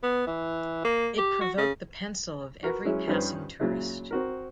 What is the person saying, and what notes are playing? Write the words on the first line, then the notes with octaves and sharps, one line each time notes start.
It provoked the pencil of every passing tourist.
B3
E3
A#3
G4
F#4
C#3
F#4 A#4 B4
F#3 G#3 C#4 E4
G2 F3 C#4 D#4 B4 C5
A#2 C#3 F#3 G#3 E4
C4 F#4 A#4